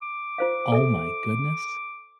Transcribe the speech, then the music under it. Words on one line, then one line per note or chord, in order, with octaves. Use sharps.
Oh my goodness.
D6
F4 C5 F5
A4 E5